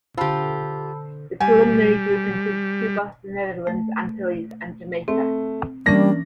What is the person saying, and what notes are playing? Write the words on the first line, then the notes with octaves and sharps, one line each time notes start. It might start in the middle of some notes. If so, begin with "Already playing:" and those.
The preliminary group included Cuba, the Netherlands Antilles, and Jamaica.
D3 F4 G4 C5 A5 B5 E6
G3 G#5
A3
A3 C4
E3 G3 A#3 C#4 D4 A#6